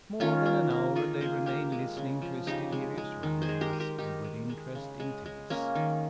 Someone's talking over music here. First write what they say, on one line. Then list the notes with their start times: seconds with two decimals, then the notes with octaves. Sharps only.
More than an hour they remain listening to his delirious ramblings, and with interest intense.
0.20 D#3 C#4 F4
0.46 A#3
0.70 A#3
0.96 D#3 F4 G#4
1.21 A#3 G#4 C5
1.46 A#3 G4 A#4
1.72 G#3
1.97 C#3
2.22 F3
2.47 C#3 D#4 G4
2.72 G#3
2.98 G#3
3.23 D#3
3.42 G#4 C5
3.49 G#3
3.61 G4 A#4
3.73 G#3
3.80 G4 A#4
3.98 D#3 D#4 G4
4.24 G#3
4.50 G#3
4.75 C#3
5.00 G#3
5.26 G#3
5.50 A#3 C#4
5.75 D#3